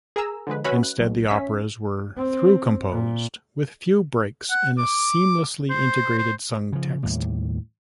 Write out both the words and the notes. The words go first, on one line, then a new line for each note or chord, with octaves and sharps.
Instead, the operas were "through-composed," with few breaks in a seamlessly integrated sung text.
G#4 A#4 G#5 A#5 E6
D3 F3 G#3 B4
C#4 F#4 B4 C#5 E5 B5
F#6
B1
C#4 E5 B6
C4
A#2
F#5
D6
C5
C5
C#3 F3
D#2 A2 G3